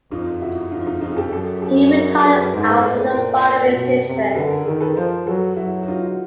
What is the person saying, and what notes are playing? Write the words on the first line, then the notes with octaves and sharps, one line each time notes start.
He retired after the following season.
F2 D#4 F4
F4
E4 F#4
F2 D#4 F4
D#4 F4
F2 D#4 F4
G4 A4
F#2 G4 A4
G4 A4
G#4 A#4
A4 B4
B4
G#2 A#4 C5
A4 B4
A2 A4 B4
C5
A4 B4
A#2 A#4 C5
B2
C3
A#4
D3 A4 B4
G#4 A#4
D#3 G4 A4
A4 B4
F3 A#4 C5
F#3 A4 B4
F#3 E4 F#4
F#4
D#4 F4
F4